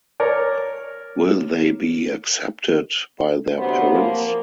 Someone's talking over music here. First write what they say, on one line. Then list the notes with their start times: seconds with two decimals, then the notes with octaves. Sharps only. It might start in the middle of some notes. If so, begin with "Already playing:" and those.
Will they be accepted by their parents?
0.20 A#4 C#5 D5
3.57 D2 C3 F#3 B3 C5
3.90 F3 A#3